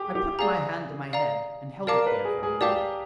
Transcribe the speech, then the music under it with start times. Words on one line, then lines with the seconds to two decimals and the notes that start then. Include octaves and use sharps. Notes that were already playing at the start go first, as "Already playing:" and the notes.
I put my hand to my head, and held it there for a moment.
Already playing: G4 G#4
0.15 G4
0.39 G#4 D5 F5 A#5
1.13 D5 F5 A#5
1.87 A#4 D5 F5 A5 D6
2.06 B4
2.25 G#4
2.43 G#4
2.61 G4 D5 F5 A5 D6